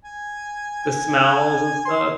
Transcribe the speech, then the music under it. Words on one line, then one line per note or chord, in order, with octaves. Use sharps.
the smells and stuff?
G#5
G#5
C6